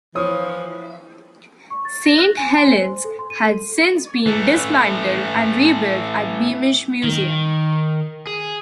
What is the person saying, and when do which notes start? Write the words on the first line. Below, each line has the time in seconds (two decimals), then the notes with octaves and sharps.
Saint Helen's has since been dismantled and rebuilt at Beamish Museum.
0.15 E3 F3 C#5 D#6
1.70 C#6
1.85 A6
2.06 A#6
2.18 F#6
2.37 G#5
2.57 C6
2.80 C5
3.05 A4
3.19 C6
3.30 D#7
3.44 A4
4.26 E3 A3
7.04 D#3
8.27 G#4